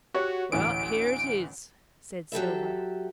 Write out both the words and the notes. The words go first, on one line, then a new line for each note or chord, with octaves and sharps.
"Well, here it is," said Silver.
F#4 G4 C#5
A1 D2 E3 D7
F#3 G4 A4 E5